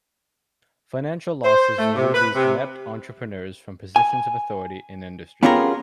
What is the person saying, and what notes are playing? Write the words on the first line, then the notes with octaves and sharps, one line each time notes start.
Financial losses remove these inept entrepreneurs from positions of authority in industry.
C5
A3
C3
B4
C3
G#5
B3 C#4 F4 G4 G#4 A#4